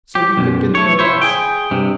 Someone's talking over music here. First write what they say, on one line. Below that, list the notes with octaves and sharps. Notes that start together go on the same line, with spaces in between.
So we could get no rest!
G4
B1 F#2
A3 C#5
E4 C5 C#5
G#4 G5
G2 C3